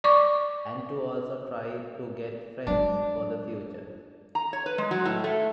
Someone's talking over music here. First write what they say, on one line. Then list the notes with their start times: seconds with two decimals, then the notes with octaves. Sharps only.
And to also try to get friends for the future.
0.04 D5 C#6 D6
2.67 F#3 G#3 D4
4.35 A#5
4.53 C#5
4.66 B4
4.78 G#3
4.91 F#3
5.05 A2
5.24 A3